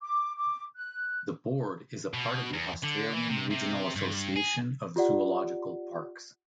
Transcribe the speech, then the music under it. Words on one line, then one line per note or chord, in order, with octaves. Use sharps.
The board is a part of the Australian Regional Association of Zoological Parks.
D6
D6
F#6
B2
E2
D3
E3
C3
C3
G2
G#4
F4 G4 D5 F#5